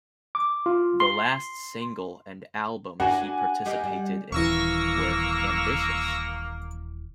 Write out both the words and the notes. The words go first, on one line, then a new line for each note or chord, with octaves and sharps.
The last single and album she participated in were Ambitious!
D6
F4
C6
D4 F#4 A#4 F#5 G#5
A#3 D#4 G4
G3
D#1 E3 A#3 C#6 E6 A#6